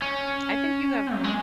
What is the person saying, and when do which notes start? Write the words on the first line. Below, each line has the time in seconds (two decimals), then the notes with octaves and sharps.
I think you have
0.02 C#4
1.15 F#3
1.24 G#3